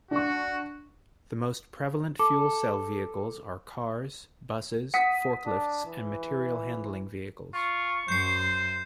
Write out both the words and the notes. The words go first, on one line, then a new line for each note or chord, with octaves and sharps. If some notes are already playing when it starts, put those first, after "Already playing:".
The most prevalent fuel cell vehicles are cars, buses, forklifts and material handling vehicles.
D4 F#4 C#6
A4 D6
F#5 D#6 B6
D4
E3
F4 C#6
F#2 C5 G6 C7